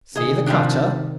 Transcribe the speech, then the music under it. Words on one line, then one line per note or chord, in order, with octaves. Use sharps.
"See the cutter?"
C3 D#3 G#4 D#5
F3 G3 D4